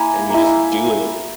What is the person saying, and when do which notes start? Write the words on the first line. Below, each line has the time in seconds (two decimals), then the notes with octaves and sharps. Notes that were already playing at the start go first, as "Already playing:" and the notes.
and you just do it.
Already playing: A#3 E4 G#5 B5
0.30 A#3 E4